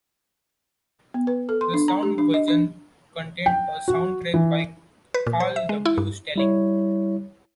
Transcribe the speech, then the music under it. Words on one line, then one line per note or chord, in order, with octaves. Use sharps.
The sound version contained a soundtrack by Carl W. Stalling.
B3
B4
A4
C6
D4
A#5
G4
D4
D#5
D4
G5
F#4
E3
B4
A#2
C5
E5
G#3
E4
G2
G3 E4 C#5